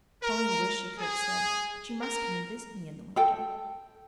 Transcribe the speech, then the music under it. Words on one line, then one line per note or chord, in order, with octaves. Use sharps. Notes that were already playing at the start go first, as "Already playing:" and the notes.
Pauline wished she could have said: But you must come and visit me in the winter.
A#4
G#4
A#4
A4 G5